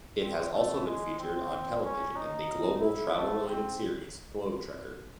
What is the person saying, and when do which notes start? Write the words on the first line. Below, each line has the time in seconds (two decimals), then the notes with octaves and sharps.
It has also been featured on television in the global travel-related series, "Globe Trekker".
0.21 C4
0.54 A3
0.86 G#3
1.19 C4
1.84 C#4
2.16 D#4
2.81 E4
3.14 A3
3.46 C4